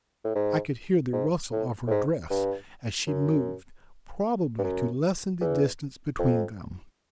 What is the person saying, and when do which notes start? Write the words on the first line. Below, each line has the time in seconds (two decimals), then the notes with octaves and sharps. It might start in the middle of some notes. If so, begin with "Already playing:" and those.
I could hear the rustle of her dress as she moved, probably to lessen the distance between them.
0.24 A2
0.35 G#2
1.13 G#2
1.52 A2
1.87 A2
1.91 G#2
2.30 G2
3.07 F#2
4.59 G2
4.64 F#2
5.41 E2
6.19 F2